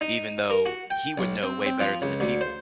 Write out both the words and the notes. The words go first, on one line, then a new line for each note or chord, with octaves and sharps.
even though he would know way better than the people.
D#4
A#4
F#4
G5
B1
C4
C4
F3
C#2
D2
C5